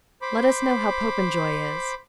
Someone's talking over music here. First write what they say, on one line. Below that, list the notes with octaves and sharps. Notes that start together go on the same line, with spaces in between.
"Let us know how Popenjoy is."
C5 B5 D6